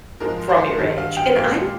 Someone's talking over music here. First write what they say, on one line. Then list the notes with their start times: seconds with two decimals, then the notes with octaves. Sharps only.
from your age, and I'm
0.20 G#2 F3 G#3 A#4
0.49 C5
0.78 G2 D#3 G3
0.98 F5
1.17 G5
1.36 A#2 G#3 F5